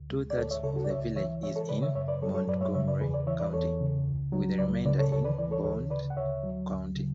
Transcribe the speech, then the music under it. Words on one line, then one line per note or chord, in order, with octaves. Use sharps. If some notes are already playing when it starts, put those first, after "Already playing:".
Two-thirds of the village is in Montgomery County, with the remainder in Bond County.
Already playing: D2
G#3
D5
D2 A4 C#5
C#5 E5
C#3 A4 C#5
F#4 A4
D5
C#2 C#5 E5
E3 C#5 E5
G#3 C#5 E5
A4 C#5
C#3 B4 D5
C#5 E5
F#2 C#5 E5
B4 D5
F#3 A4 C#5
A4 C#5
F#2 B4 D5
C#5 E5
C#3 C#5 E5
B4 D5
E2 G#4 B4
B4 D5
E3 C#5 E5
B4 D5
E2 A4 C#5
C#3
C#2
F#3
C#2 B4 D5
C#3 B4 D5
A4 C#5
D2 A4 C#5
B4 D5
E3 B4 D5
A4 C#5
D2 A4 C#5
C#3 B4 D5
F#5
D2 C#5 E5
F#3
D2
C#3